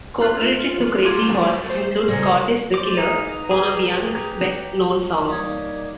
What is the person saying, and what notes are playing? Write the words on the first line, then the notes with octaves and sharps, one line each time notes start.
Co-credited to Crazy Horse, it includes "Cortez the Killer," one of Young's best-known songs.
F4 E5 F#6
F#3 A3 C6 D6 G#6
C5
C#3 G3 A#4 C#5 A#6
C5 D5 D6
A#3 D#4 G#4 B4 A#5
G4 G#4
G3 A#3 D#4 C#5